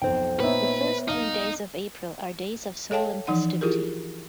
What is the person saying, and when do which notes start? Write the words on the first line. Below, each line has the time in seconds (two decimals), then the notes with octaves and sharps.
The first three days of April are days of solemn festivity.
0.02 B1 F2 C5 G5
0.40 A#2 B3 D#4 B4 C#5 E5
1.08 B1 D#4 F5 F6
2.91 A4 C#5 F5 G5 A5
3.27 E3 F3 D#4 F#5
3.61 E4 F4 G4 G#4 A#4